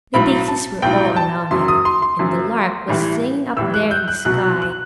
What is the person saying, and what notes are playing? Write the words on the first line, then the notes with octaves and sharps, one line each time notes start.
The daisies were all around him, and the lark was singing up there in the sky.
B1 A2 F#3 B5
A5
B1 A2 F#3 G5
A5
F#1 F#2 F#3 C6
D#6
C6
C6
F#1 F#2 F#3
A1 A2 E3 G3
A1 A2 E3 G3 E6
F#6
G6
F#6
C2 B2 F#3 F#6
F#6